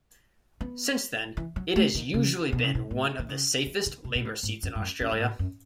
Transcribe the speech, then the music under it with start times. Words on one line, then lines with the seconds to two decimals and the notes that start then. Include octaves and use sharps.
Since then, it has usually been one of the safest Labor seats in Australia.
0.61 B3
1.37 E3
1.56 F#3
1.76 A3
1.95 D#3
2.14 C#3
2.52 B2
2.64 C#3
2.75 B2
2.91 A2
3.19 D#3
3.28 C#3
3.66 E3
3.86 D#3
4.05 B2
4.15 B2
4.24 A2
4.43 G#2
4.63 F#2
4.75 G#2
4.82 F#2
5.00 F#2
5.12 G#2
5.20 A2
5.39 F#2